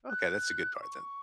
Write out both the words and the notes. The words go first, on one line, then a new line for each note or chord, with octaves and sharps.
Okay, that's a good part then,
F#6
D6
C#6